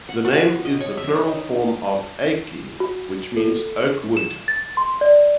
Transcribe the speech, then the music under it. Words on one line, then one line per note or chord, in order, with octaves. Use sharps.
The name is the plural form of "eiki" which means "oak wood".
F#5
F#4
D#5
C#5
E5
D#4
F#4
A4
E7
A6
C6
D5